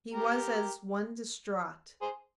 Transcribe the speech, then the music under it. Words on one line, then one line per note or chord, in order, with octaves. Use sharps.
He was as one distraught.
G4 A#4
G#4 C5